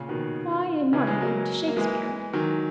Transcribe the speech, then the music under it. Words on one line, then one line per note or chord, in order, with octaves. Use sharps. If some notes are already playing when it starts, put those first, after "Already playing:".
Why a monument to Shakespeare?
Already playing: A#2 C#3
B2 D#3
C#3 E3
E3 G#3
F#3 A#3
A#3
E3 G#3
D#3 F#3